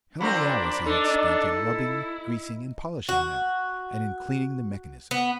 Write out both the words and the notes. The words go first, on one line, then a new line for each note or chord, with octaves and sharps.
How many hours he had spent, in rubbing, greasing, and polishing them, and in cleaning the mechanism!
F3 C4 D4 A#4 B5
D4 D#4 A4
E4
F#4
B3